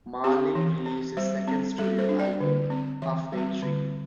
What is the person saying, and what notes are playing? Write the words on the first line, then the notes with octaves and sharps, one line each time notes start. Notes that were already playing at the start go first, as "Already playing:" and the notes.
Marley released his second studio album "Halfway Tree".
C4 G4
E3
C4
G3 C5
C4
G3 A4
C5
D4
D5
D3
C4
E3 E5
G3
C4
D3